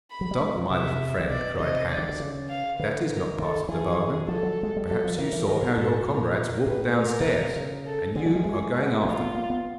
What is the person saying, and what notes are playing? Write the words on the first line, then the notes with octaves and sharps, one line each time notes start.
'Stop, my little friend!' cried Hans. 'That is not part of the bargain! Perhaps you saw how your comrades walked down stairs, and you are going after them.
B5
F#3
G3
G#3
F3
C3 E5
C3
B2 D5
C3 D#5
D5
D#3
D3
C#3
F5
D3 B4
A#4
D#3 A4
E3 G#4
F3 A4
F#3
G#3
G3
F#3 A4
F3
E3 A#4
E3
D#3 A#4
B2
G#2 A4
B2
A#2 A#4
A2 B4
A#4
C3
B2
C#3
C#3
A4
D3 G#4
F#3
G3
G#3
F#4
A3 F4
B3
A#3
B3